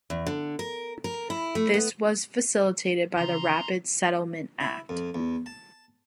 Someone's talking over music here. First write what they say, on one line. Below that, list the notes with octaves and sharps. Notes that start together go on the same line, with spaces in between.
This was facilitated by the Rapid Settlement Act.
E2
D3
A#4
A#4
E4
A3
B3
C#3 E3 A#5 C6
E4
F2
E2
A5